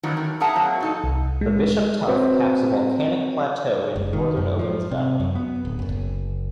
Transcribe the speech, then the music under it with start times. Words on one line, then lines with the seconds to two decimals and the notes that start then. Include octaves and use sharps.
The Bishop Tuff caps a volcanic plateau in the northern Owens Valley.
0.03 F2 A2 D#3 E3 F#3
0.17 D#3
0.40 G#4 A#4 E5 F#5 A5 A#5
0.55 F#3 A#3 C4
0.80 A#2 D#4 A4
1.04 C2
1.41 G#3
2.07 C4 F#4 B4 C#5
3.96 F#1
4.13 D#3
4.37 F#2
4.59 F3
4.91 C3
5.20 F#2
5.35 B3
5.65 D1
5.79 F#1